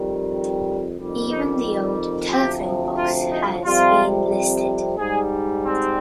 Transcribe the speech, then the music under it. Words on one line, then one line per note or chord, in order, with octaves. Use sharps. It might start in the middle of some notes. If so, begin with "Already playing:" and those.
Even the old telephone box has been "listed".
Already playing: F2 D#3 G3
F2 D#3 G3
D#4
D2 C3 F3 G4
F4
D#4
F2 C3 G3 F4
G#2 G3 G#4
C4